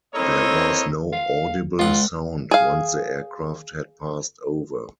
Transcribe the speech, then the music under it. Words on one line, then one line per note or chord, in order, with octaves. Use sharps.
There was no audible sound once the aircraft had passed over.
A#3 C4 E4 A4 C#5 D#5
F5
C#2 F4 F#5
G#4 F5